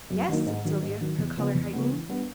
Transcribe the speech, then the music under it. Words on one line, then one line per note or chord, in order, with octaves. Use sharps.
'Yes!' said Sylvia, her colour heightening.
F#2
D#3 F#3 A#3 D#4
G#2
D#3 F#3
G#2
D#3 F#3
E2
C#3 F3 G#3 B3
E2
C#3 F3 G#3 B3
E3
G3 B3 D4